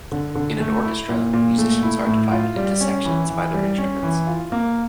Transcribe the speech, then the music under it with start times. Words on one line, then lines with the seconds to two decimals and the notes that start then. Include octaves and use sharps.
In an Orchestra, musicians are divided into sections by their instruments.
0.12 D3
0.35 D3
0.60 A3
0.84 E4
1.09 A#2
1.33 A#2
1.58 A3
1.83 E4
2.07 A2
2.32 F4
2.56 G3
2.81 C#4
3.05 E3
3.30 E3
3.54 G3
3.78 C#4
4.03 E3
4.27 F4
4.52 A#3